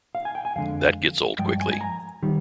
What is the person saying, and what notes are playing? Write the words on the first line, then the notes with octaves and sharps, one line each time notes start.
That gets old quickly.
F5
G#5
G5
G#5
F2 D3 G#3 F5
G2 F3 G#3 G5
G#5
G#5
A#5
D#3 G3